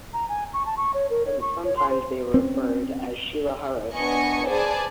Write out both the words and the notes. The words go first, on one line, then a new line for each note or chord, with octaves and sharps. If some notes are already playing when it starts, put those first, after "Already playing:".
Hence sometimes they are referred as 'Shilaharas of Karad'.
A#5
G#5
C#6
A5
C#6
C#5
A#4
C#5
C#6
C#5
C6
C5
C4 C#4
B3 D4 D#5 G#5 C#6 C#7
G#4 B4 C5 D5 G#5 A5